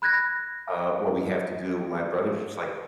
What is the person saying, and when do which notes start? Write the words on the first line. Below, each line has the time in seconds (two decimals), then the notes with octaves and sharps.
"Uh, what we have to do" my brother's just like,
0.02 B5 F#6 G#6 A#6